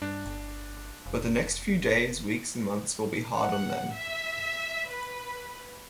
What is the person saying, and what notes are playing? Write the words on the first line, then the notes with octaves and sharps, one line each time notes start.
But the next few days, weeks, and months, will be hard on them.
G2 D4
G1
F1
F#5
E5
B4